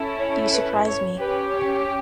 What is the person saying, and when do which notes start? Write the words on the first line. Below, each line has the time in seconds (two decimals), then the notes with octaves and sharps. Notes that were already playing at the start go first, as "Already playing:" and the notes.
You surprise me.
Already playing: C#4 E4 A4
0.18 C#5
0.52 B4
0.85 C#5
1.19 C#4 G4 B4
1.53 C#5